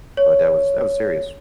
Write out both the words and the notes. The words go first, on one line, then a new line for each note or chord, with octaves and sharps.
But that was that was serious.
C#5